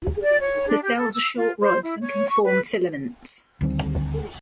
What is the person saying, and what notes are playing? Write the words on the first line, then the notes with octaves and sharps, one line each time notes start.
The cells are short rods and can form filaments.
D5
C#5
D4
G4
A4
E6
F4
C5
E4
C#5
C#6
B4
D2 D#3 G3 C4